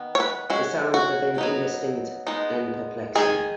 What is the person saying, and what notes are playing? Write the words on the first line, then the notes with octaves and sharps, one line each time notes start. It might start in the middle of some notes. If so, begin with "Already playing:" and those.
The sounds within indistinct and perplexing.
Already playing: D#3 B3
C#5
B4
G#3 C#4 F#4
F#4
F#3 B3 D#4
G#3 B3 D#4
D#3 G#3 D#4 G#4